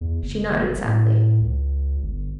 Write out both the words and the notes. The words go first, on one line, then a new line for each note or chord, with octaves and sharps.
She nodded sadly.
E2
F#1
A2
C#2
G1